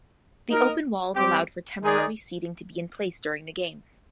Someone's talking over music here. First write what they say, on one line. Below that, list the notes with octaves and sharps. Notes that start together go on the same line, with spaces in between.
The open walls allowed for temporary seating to be in place during the games.
A#3 D#4 A#4 D#5
G3 C4 G4
D#3 G#3 D#4 G#4 D5